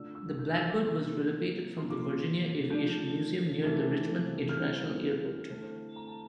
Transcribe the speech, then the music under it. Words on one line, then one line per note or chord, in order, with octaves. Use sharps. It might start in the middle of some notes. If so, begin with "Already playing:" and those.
The Blackbird was relocated from the Virginia Aviation Museum near the Richmond International Airport.
Already playing: D3 A3 D4 F4 E6
E6
G6
E6
D6
D6
C3 E3 A#3 C6
A#2 F3 A#3 C6
D6
C6
F3 A3 D4 F4 G6
C3 E3 A3 E4 A6
F6
E3 G3 C4 G6
D3 A3 C4 E4
A#5
A5